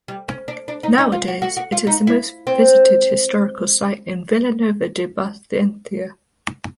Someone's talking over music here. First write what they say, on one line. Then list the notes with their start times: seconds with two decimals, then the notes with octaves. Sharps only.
Nowadays it is the most visited historical site in Vila Nova da Barquinha.
0.08 G3
0.28 C#4
0.48 D4
0.68 D4
0.83 D#4
0.98 D#4
1.12 F4
1.28 F#4
1.42 F#4
1.57 F#4
1.72 F4
1.87 D#4
2.07 E4
2.47 C4